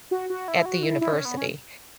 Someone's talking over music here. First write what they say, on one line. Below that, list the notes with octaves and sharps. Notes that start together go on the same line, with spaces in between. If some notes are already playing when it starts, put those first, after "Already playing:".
at the university,
F#4
F#4
E4
F#4
E4
E4
C#4
B3
C#4